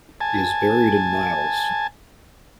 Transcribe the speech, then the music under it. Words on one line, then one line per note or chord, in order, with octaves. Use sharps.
He is buried in Niles.
G#5 A5